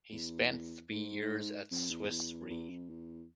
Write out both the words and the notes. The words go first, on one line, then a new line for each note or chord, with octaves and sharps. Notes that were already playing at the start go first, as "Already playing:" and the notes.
He spent three years at Swiss Re.
E2
G#2
F2
E2
E2
E2
F2
E2